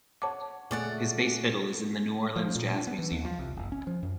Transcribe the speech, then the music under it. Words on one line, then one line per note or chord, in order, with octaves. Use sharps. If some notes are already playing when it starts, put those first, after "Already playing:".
His bass fiddle is in the New Orleans Jazz Museum.
C#5 F#5 A5 D6
A#2 C#3 A3 D5 F#5 G#5 C#6 A6
F3
A#2
D4
B3
E3
D#2
F3
C2
F#1
C#4
F3
F#2